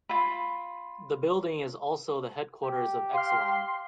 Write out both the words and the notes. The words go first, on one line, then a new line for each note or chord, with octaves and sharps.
The building is also the headquarters of Exelon.
F4 B5
G4
F5 C6 F6